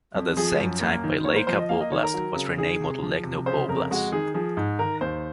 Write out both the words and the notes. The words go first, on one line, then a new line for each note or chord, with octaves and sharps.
At that same time, Vileika Voblast was renamed Molodechno Voblast.
F2
F3 G#4
F#2
A#3
D#3
A#3 C#5
C5
F3 C5
D#5
A#3 F5
D#5
D#3 C#5
A#4
F#3
C#3
D#3 G#4
C3
F3
C3
C#3 C5
F2 A#4
G#3 F#4
D#3 G#4
F3 G#4
G#2
D#3 A#4
D#2 C5